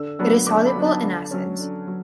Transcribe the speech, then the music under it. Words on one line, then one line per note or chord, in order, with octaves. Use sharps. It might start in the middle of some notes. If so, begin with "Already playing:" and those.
It is soluble in acids.
Already playing: D3 E6
F#3 B3 D4
D3 D6
B5
F#3 B3 D4
A5
D3
F#3 C#4
D3
F#3